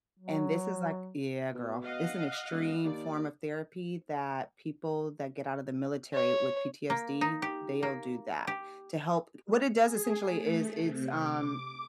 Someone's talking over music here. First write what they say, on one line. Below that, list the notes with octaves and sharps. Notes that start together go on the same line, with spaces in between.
And this is, like yeah, girl, it's an extreme form of therapy that people that get out of the military with PTSD, they'll do that, to help what it does, essentially is it's, um,
F#3
B2
D#5 F5 F#5
E1
D#2 D5
C#5
A#3
D#4
G4
A#3
G4
G#4
A3
C3
D6